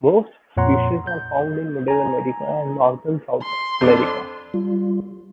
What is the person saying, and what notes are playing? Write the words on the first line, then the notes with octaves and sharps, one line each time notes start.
Most species are found in Middle America and northern South America.
F2 A#2 C#5 F#5 A#5 C6
G6
G#5 A#5
C6
F2 C4 D4
G3 F4